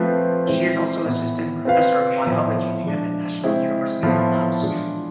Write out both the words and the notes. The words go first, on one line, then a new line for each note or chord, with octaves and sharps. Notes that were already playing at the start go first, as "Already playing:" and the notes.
She is also Assistant Professor of Biology at the National University of Laos.
Already playing: F3 A3 C4 F4 B4
E3 G#3 C4 E4
A2 E3 B3
C4 F4 B4 F5
A2 F3 B3
F3 G#3 D4
G#3 C4 E4
A2 F3 B3 F4 A4
E3 G#3 D4 F4 G#4